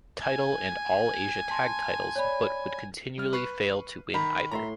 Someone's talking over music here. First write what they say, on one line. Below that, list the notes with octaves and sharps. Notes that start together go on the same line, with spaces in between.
Title and All Asia Tag Titles but would continually fail to win either.
G#5
A5 C6
C#5 D5 B5
G3 F6
B4 C#6 C7
D#3 A#5 B5
A2 E5 A#5 C6